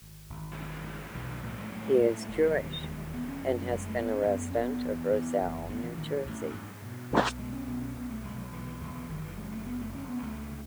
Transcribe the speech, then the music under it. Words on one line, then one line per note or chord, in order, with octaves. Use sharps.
He is Jewish and has been a resident of Roselle, New Jersey.
G#1
G#1
G#2
G#2
B1 E3
D#3
A2 E3
G#3
A2 F#3
G#3
A2 A3
A3
E1 G#3
F#3
D#2
E3
E1 G#3
C#3 B3
C#4
F#2
F#3
F#1 G#3
A3
F#1 B3
C#4
F#2 B3
B3
C#4
F#1 B3
E2
E2
F#1
A1 B3
E3
A1 D#3
A1
G#2
B2
B1
B2 G#3
C#4
B1 B3
C#4
B1 B3
A3
B1 G#3
F#3
B1 E3
E3
B1 E3
E3
F#1 D#3
E3
C#3 G#3
A3
F#1 B3
A3
F#1 C#4
B3
C#2 A3
C#3